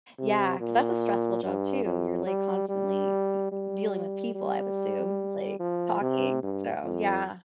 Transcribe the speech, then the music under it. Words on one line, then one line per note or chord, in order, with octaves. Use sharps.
Yeah, 'cause that's a stressful job, too. You're, like, constantly e dealing with people, I'd assume, like, talking, so, yeah.
C3
A#2
G2
F2
G3
G3
G3
G3
F3
C3
G2
F2